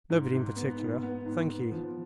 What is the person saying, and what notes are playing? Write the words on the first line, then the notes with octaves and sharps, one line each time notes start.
"Nobody in particular, thank ye."
G#2
G#2
B3
G#2
B3
G#2
B3
F3